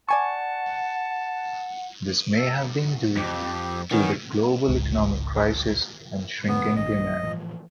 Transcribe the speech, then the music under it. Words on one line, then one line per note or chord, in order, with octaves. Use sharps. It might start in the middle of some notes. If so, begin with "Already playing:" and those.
This may have been due to the global economic crisis and shrinking demand.
D5 F#5 G#5 A5 C#6
A4 D#5
F2 G4
D#3 B3 C#4
G#1 C#2 G#3
F2 D3 G#3 B3
A#1 D#3 D#5
A2 E3 F3